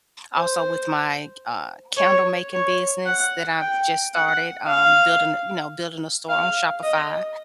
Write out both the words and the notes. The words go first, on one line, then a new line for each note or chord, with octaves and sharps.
also with my, uh, candle making business that I've just started, um, building, you know, building a store on Shopify.
C5
C#5
C#5
F#5
G5
F#5
F5
F5
D#5